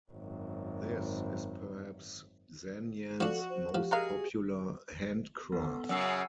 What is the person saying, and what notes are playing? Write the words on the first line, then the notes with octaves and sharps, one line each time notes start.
This is perhaps Zanjan's most popular handcraft.
G#1 F#2
F3 D4 F#4 A4
C5
F3 G4
G#3 F#4 G#4 A#4 F5
B3 A4
F#2 C#3 F#5 E6 C7
G#5